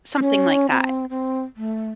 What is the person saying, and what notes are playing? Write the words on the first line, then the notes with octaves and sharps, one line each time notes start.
Something like that.
C#4
C4
C4
A3